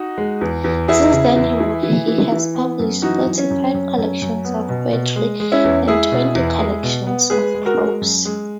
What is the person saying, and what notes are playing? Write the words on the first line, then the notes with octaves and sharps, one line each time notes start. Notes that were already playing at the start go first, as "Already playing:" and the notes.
Since then he has published forty-five collections of poetry and twenty collections of prose.
Already playing: D#4 F#4
G#3
E2
E2
E2 E4 G#4
C#3
E2
E3
E3
E3
E3
B3
F#2
E3 D#4 F#4
F#2
C#4
F#2
F#2
F#2
F#2
B3
B2
B2
G#3
G#3
C#4 E4
E2
G#3 E4 G#4
B2
E2
G#3
B2
B3
G#3 G#4 B4
G#3
F#4 A#4
G#3
F#2
G#3